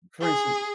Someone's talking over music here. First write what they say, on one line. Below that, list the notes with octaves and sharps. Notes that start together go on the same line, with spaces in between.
for instance,
G#4